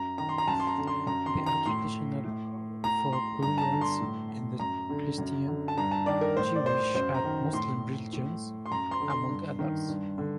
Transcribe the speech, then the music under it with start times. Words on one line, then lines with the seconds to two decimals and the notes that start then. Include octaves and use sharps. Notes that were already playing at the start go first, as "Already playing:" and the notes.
They are traditional for burials in the Christian, Jewish and Muslim religions, among others.
Already playing: F#2 A#5
0.18 D#3 A#5
0.29 C6
0.38 A#5
0.48 F#2 A5
0.60 C6
0.67 A#5
0.78 D3
0.87 C6
1.06 F#2 A#5
1.26 C6
1.37 D#3
1.46 A#5
1.66 A2 C6
2.24 A2
2.84 A2 A#5
3.13 C6
3.42 G2 A#5
3.58 A5
3.61 A#5
3.72 D3
3.81 C6
4.00 A2
4.60 F#2 A#5
4.89 D3
5.18 F#2
5.48 D3
5.68 A5
5.77 G2 A#5
5.91 A5
6.06 D#3 D5
6.21 A#4
6.36 A2 C5
6.55 D5
6.66 C5
6.94 F#2 C5
7.14 A#5
7.24 D#3
7.53 A2 C6
8.13 A2
8.66 C6
8.71 F#2 A#5
8.91 C6
9.00 D3
9.10 C6
9.29 G2
9.59 D#3
9.88 G2
10.18 D3